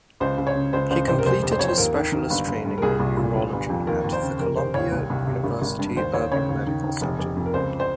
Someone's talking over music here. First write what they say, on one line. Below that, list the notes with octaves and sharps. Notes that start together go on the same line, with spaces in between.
He completed his specialist training in neurology at the Columbia University Irving Medical Center.
C#2 C5
C#2
C#5
C#3
C#2 C5
C#2 C5
C3 C5
A#4
F1 C5
F1
C5
F2 C#5
C5
D#2 A#4
D#3
D#3
G1
G1
G2
A#4
C2 G#4
C2
A#2
G1
G1
F2
D#2 A#4
D#2
C5
C#3
F1 A#4
F1 C5
D#2 C#5
C2
C2
C3
G#1
G#1
G2
D#2 C5
D#2 C#5
C#3 C#5
D#2
D#3
D#3
F1
F1
F2
A#4
C#2 C5
C5